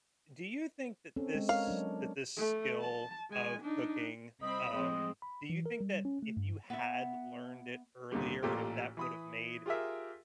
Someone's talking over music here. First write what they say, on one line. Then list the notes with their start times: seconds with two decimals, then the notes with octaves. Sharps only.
do you think that this that this skill of cooking, um do you think that if you had learned it earlier, if that would've made
1.16 C4 C#4 A4
1.35 G#3
1.49 A#4 C#5 F5
1.68 F#3 D4
2.37 A3
2.81 A5
3.30 G#3 G#5
3.62 D4 D#4
4.42 C2 C4 D#5 B5
4.73 F3 G#3 C4 D#5
5.22 B5
5.50 E3
5.66 A#4
5.81 G3
6.05 C#4
6.23 A3
6.37 G2
6.70 B3 E5
8.12 D#2 A#2 D3 G3
8.43 A1 A#2 A3 F4 G4
8.97 E3 B5 D#6
9.66 F4 G4 G#4 A#4 E5